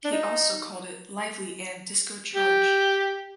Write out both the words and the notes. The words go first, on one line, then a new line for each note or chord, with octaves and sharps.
He also called it "lively" and "disco charged".
D4
D#4
G4